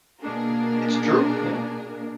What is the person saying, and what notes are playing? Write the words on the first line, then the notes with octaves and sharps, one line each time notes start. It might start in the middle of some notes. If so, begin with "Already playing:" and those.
I It's true, yeah.
B2 A#3 D4 G#4 A#4